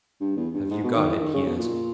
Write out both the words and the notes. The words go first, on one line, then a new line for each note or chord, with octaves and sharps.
"Have you got it?" he asked.
G2
E2
G2
G#2
B2
D#3
E3
D#3
C#3
B2
A#2